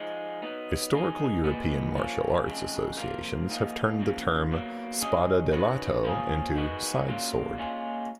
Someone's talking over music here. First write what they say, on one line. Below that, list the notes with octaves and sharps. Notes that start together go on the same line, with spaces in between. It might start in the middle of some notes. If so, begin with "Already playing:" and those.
Historical European Martial Arts associations have turned the term "spada da lato" into "side-sword".
Already playing: F3 G#3 D#4
F#3 B3 D#4
B2 G#3 D#4
A#2 G#3 B3
A#2 F3 A#3 C#4
F2 C#3 G#3
F2 F3 A#3 F4 A#4
G#2 F3 A#3 D#4
F2 C#3 F3 A#3
B2 F#3 A#3
F#3 C#4 G#4 D#5
D#3 G#3 C#4 F#4 B4
F3 A#3 C#4 G#4
D#3 G#3 B3 F#4
C#3 F#3 A#3 F4
A#2 G#3 C#4 F4